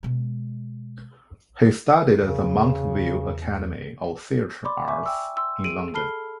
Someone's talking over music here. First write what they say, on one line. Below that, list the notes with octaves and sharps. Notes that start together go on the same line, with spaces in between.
He studied at the Mountview Academy of Theatre Arts in London.
B2 G#3
E2 C#3
D5 B5 C6 D6
E5 G#5 C#6 D6
G5 E6
C6 E6
G#4 D7 D#7 F#7
A4 A5 B5 F6 C7 G7